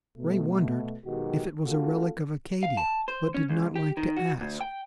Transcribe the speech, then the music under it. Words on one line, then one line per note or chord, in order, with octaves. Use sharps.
Ray wondered if it was a relic of Acadia, but did not like to ask.
B2 A3
B1 B2 D#3 G#3 F#4 G4
A3 C#4 F4 F#4 G#4 A4
F5
A5
C5
C#4
C#2
G4
D#3
F#4
D2
G5